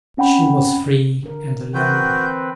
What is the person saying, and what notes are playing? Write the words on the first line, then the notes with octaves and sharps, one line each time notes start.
She was free and alone.
C4 C#4 F#5 G5 B5
D3 A#4
E3 C4 F#4 A#4 B4 G5